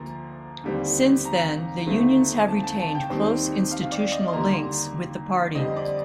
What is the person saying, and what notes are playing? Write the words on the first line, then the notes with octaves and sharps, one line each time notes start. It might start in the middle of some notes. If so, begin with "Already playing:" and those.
Since then, the unions have retained close institutional links with the Party.
Already playing: D2 D3 F3 A#3 A#5 C6
D#2 D3 G3 C4
A#5
D#2 D3 A3 C4
A5
A5
A5
G5
D#2 D#3 G3 C4
F5
D5
D#5
C6
D#2 D3 G3 A#3 A#5
C6
F2 D3 G3 C4 D#5
D5